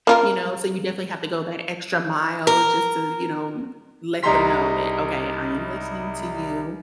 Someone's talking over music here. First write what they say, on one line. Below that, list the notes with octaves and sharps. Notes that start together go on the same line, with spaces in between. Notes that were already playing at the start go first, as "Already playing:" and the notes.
you know, so you definitely have to go that extra mile just to, you know, let them know that, "Okay, I am listening to you,
A#3 F4 A#4
A#4
C2 G3 D#4 A#5 C6 B6